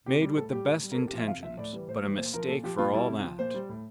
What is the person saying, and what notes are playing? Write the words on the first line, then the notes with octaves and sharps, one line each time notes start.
"Made with the best intentions--but a mistake for all that."
C3 G4
G3 G4
A2 A4
G3 G4
A2
G3
A#4
C3 A4
G4
F3 E5
C3 F5
F3 E5
A2 D5
E3 G3
A2 C5
E3 G3
A#2 C5
F3 A#4
A#2 A4
F3 G4
A#2 F4
G3 E4
C3
F3
A#2 C5
G3
A2